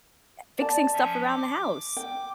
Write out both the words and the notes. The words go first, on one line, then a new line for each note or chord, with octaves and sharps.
e fixing stuff around the house
D5 A5
F3 C#4 E5
D6
G5